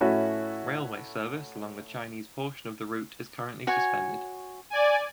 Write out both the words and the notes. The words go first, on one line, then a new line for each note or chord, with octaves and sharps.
Railway service along the Chinese portion of the route is currently suspended.
A2 A3 C#4 E4 F#4 E5
F#4 C#5 G#5
D5 G#5